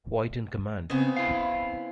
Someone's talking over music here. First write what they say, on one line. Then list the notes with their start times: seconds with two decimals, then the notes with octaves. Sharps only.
White in command.
0.90 C#3 B3 C4
1.17 E4 F5